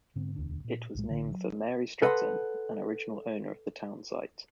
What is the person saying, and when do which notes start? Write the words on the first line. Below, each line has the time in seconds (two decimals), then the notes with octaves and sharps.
It was named for Mary Stratton, an original owner of the town site.
0.16 G#2 D3 B3 C4
0.36 E1 D2 D4
0.64 A#2
0.95 B1 A2 G#3
1.09 A1 D3
1.31 F#3
2.02 A4 B4 D#5 F#5 A#5 C6